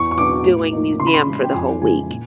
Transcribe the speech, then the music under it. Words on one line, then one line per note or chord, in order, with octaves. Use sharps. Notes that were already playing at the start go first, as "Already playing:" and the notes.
doing museum for the whole week.
Already playing: E2 C#6
C#6
B2 F#3 B3 D4 D6
A2
F3 A#3 D#4
C#3 C6
B5
C6
E3 G#3
G5
F2 G#5
C#3 E3 G#3 G#5
A#2